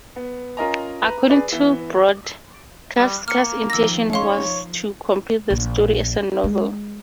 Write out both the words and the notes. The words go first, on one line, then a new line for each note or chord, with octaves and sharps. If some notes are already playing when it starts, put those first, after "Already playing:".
According to Brod, Kafka's intention was to complete the story as a novel.
B3
C#4 F4 A#4 D#5 G#5 A#5
B4 A#5
G#4 B4 D5
E3 B3 E5 G7
G3
A#3 F6 C#7
D#3 F3 E6 A#6
C#4 D#4 C#5 F5 C6
F3
A#1
G#3